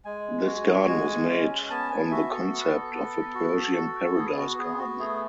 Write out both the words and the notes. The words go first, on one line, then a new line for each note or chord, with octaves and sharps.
This garden was made on the concept of a Persian paradise garden.
G#3 G#5
F#4
G#3
C#4
B3 A5
G#5
F#4 E5
A4
B3
B3
F#4
F#4
F#4
B3 G#4
F#4
B3 G#4
F#4
A3 G#4